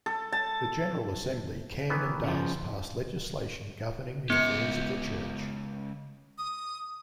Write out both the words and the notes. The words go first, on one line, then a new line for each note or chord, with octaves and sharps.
The General Assembly can and does pass legislation governing the affairs of the Church.
A4
A5
D#3 E3 B3
C#3 F3
C#2 B3 G4 C#7
D#6